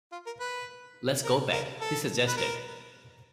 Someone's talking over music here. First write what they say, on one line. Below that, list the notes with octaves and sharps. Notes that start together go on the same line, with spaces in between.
"Let's go back," he suggested.
F4
A#4
B4
A#4
A#4
A4
B4
A#4